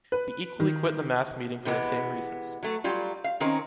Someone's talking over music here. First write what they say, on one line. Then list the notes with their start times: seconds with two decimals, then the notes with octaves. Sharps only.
He equally quit the mass meeting for the same reasons.
0.12 B4
0.60 D#3
1.65 C3 E3 G#3 B3
2.63 F#3 A3
2.84 F#3 G3 F4
3.24 F5
3.40 D#3 C4 C#4 A#4